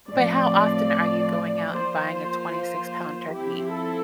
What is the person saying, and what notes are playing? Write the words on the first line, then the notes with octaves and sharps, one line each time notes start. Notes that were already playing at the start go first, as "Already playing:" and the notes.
But how often are you going out and buying a twenty-six-pound turkey?
A2 F3 C4 D5
F3 A#3 F4 C5
C5
C5
F3 C4 E4 G4
A4